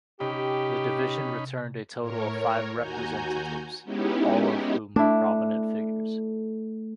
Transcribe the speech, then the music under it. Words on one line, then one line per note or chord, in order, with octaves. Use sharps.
The division returned a total of five representatives, all of whom were prominent figures.
C3 C#4 D#4 G4 B5
A2 A#4 C#5
D#2 F#4 G#5 A#5 G6
G#3 B3 C#4 D#4 E4 G4
A3 D4 E4